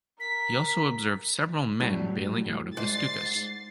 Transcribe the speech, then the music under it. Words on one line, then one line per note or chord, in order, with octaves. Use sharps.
He also observed several men bailing out of the Stukas.
A#4 A#5 B6
A2 F#3 G3
G#2 A6 C7